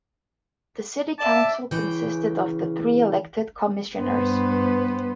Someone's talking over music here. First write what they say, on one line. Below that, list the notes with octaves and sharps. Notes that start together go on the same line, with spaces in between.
The City Council consisted of the three elected Commissioners.
D5 E5 A5
C#3 E3 G5
G2 B3 B4 C5